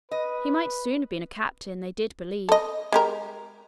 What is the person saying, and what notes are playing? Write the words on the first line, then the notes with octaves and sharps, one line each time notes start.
He might soon have been a captain, they did believe!
B4 D#5
A4 D#5
G#3 G4 A#4